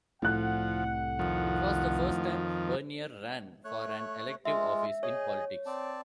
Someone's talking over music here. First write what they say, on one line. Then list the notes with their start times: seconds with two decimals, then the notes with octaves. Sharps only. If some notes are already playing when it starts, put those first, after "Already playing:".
It was the first time Bernier ran for an elective office in politics.
0.22 C2 A2 F3 F#5 F#6
1.19 F2 D#3 F3
3.64 A3 C#5 F#6
4.45 G#3 F4 E5
5.03 G#4 C#5 D#5 G#5
5.66 C4 D5 A5